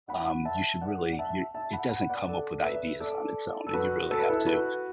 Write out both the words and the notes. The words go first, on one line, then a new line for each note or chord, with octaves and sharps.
um, you should really you It doesn't come up with ideas on its own, and you really have to,
F#5 B5
E5 A5
D5 F#5
F#5
E5 A5
E5 A5
F#5 B5
F#5 B5
D5 F#5
A4 D5
B4 E5
A4 D5
A4
F#4 B4
A4
B4
E4 A4
F#4 B4